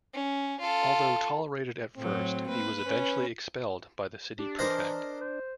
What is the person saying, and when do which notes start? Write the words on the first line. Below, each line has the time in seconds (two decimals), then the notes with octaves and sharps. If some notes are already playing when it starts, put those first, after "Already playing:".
Although tolerated at first, he was eventually expelled by the City Prefect.
0.13 C#4
0.60 F4 A4
1.97 A2 F#3 C4
2.48 A#3 B4
2.86 C#4 B4
4.39 D4 G4
4.59 E3 A#4 C5 D#5
5.21 C5